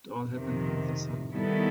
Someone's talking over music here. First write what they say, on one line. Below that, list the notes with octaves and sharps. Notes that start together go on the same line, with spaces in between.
It all happened rather suddenly.
F2 C3 D#3
D#3 G3 B3 E4 A4